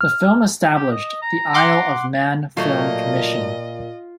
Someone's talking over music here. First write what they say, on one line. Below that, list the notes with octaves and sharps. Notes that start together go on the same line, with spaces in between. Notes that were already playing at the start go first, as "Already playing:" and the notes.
The film established the Isle of Man Film Commission.
F6
G4
D#5
A#5
F#5 C6 D6
A#2 F#3 A3 A#3 F4 D#5